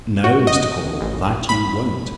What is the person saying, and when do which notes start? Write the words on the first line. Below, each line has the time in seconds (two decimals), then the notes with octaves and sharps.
No, Mr. Caudle, that you won't.
0.24 F#4
0.47 D#5
1.01 A1
1.49 B5